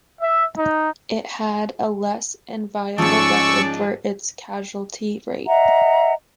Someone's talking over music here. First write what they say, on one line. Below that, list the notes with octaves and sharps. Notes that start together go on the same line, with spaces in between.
It had a less enviable record for its casualty rate.
E5
D#4
G#2 F3 C#4 D5 C#6 E6
D#5 E5 F#5 A#5